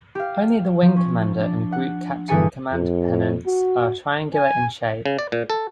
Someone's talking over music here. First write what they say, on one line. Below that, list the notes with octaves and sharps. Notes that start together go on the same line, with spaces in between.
Only the wing commander and group captain command pennants are triangular in shape.
G4 F5
F3
C#4
D4
F#5
G1 E3 G#4 A4 G#5 C#7
F2
F#4
G#5
C#3
D5
A#2
A4